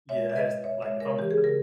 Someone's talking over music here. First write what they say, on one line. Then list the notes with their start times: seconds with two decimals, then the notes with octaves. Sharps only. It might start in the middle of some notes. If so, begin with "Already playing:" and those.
Yeah, I had this Like, if I'm
0.09 G#3 C#5 E5
0.27 G#3 E5
0.36 B4 D#5
0.46 B2
0.64 B2 C#5 E5
0.82 G#3 C#5 E5
1.00 G#3 A#4 C#5
1.19 E3 G4
1.31 G#4
1.38 C#3
1.44 A#4